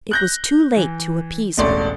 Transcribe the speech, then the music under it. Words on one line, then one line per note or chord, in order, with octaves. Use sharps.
It was too late to appease her.
F#6 G6 A#6
E3
E1 A1 A3 D5 C6